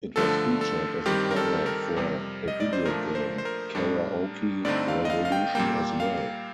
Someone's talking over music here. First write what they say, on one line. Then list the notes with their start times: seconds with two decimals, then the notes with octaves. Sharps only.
It was featured as a cover for the video game "Karaoke Revolution" as well.
0.16 G2 D3 F3 A3 A4
0.61 A4
1.06 G2 D#3 G3 C4 G4
1.31 A#4
1.36 A4
1.66 A#4
1.96 F2 C3 G3
2.48 D#5
2.60 D5
2.73 C5
2.85 A#2 F3 A3 D4 A#4
3.15 C5
3.38 C5
3.45 A#4
3.75 A2 G3 D4
4.65 G2 D3 A3 C4 D#4 D5
4.88 F5
5.05 D#5
5.10 F5
5.25 F5
5.32 G5
5.55 A#2 G3 A#3 G5
6.00 F5